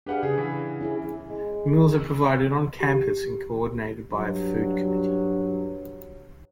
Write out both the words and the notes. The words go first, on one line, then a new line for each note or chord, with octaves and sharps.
Meals are provided on campus and coordinated by a food committee.
D4 G4 G#4 B4 F5 F#5
C#3 G#4
E3
C#4 E4 G#4
G#3
G4
G2 F#3